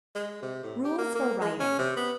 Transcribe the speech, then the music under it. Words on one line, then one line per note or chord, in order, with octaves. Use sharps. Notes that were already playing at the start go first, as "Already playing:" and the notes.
Rules for Riding.
G#3
C3
A2
G4
A#3
A#3
G#3
C#4
C3
B3